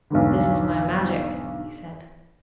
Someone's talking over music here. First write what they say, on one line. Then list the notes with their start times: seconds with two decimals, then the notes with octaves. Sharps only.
"This is my magic," he said.
0.10 B1 E2 G#2 D3